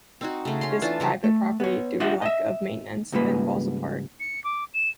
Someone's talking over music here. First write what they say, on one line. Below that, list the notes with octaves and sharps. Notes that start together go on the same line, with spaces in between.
This private property, due to lack of maintenance, then falls apart.
C4 D#4 F#4
C#3 A3
C#4 C6
E3 D4 F4 A5
C#3 F3 F#3
A3
B3 C#5
D4 F4 G4 E5 F#5 G5
D#5 E5
C#2 G#2 G3 A#3 B4
C#7
D6
E7